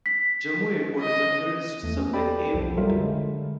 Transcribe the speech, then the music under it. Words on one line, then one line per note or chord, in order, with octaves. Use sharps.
Jammu airport is the nearest civilian airport.
B6
D#5
E2 A3
C#4
G4 A4 D5 G5 B5
B1 F2 F3
F#3 G3 F4 A4 A#4 E5
D3 G#3